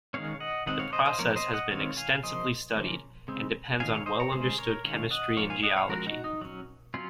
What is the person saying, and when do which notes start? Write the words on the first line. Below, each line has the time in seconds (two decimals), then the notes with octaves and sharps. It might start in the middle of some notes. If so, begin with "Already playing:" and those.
The process has been extensively studied and depends on well-understood chemistry and geology.
0.14 D#3 G#3 C#4 C#5 F5
0.40 D#5 F#5
0.66 D#3 G#3 C4 D#5 F#5
0.79 C#5 F5
0.93 C5 D#5
1.05 C5 D#5
1.19 F3 A#3 C#4 A#4 C#5
1.36 C5 D#5
1.53 D#5 F#5
1.71 D#3 G#3 C4 C#5 F5
1.97 F5 G#5
2.23 C#3 F3 A#3 C5 D#5
2.76 C#3 F3 A#3 C#4
3.28 C#3 G#3 C4
3.80 D#3 G#3 C#4 F5 G#5
3.93 C#5 F5
4.06 C5 D#5
4.20 A#4 C#5
4.32 C#3 G#3 C#4 G#4 C5
4.58 A#4 C#5
4.84 D#3 G#3 C#4 C#5 F5
5.11 D#5 F#5
5.37 F3 A#3 C#4 C#5 F5
5.50 F5 G#5
5.63 D#5 F#5
5.76 C#5 F5
5.89 F3 G#3 C#4 F#4 A#4
6.07 D#4 F#4
6.24 D#4
6.41 F#3 C#4
6.94 F#3 C#4 F4